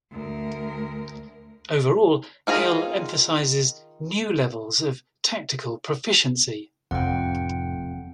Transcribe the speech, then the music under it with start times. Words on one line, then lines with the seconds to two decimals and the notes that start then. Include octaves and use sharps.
Overall, Hale emphasizes new levels of tactical proficiency.
0.12 D2 A#4
2.47 D#3 F4 G#4 A#5
6.91 F1 F2 A2 F#5 G5